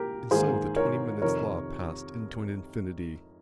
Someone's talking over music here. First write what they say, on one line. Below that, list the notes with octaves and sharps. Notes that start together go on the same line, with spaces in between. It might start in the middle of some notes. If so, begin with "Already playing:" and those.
And so the twenty minutes' law passed into an infinity.
Already playing: A#2 G4 A#4
G#2 D#3 A#3 G#4 C5
A#4 C#5
F2 C3 D#3 A#4 C#5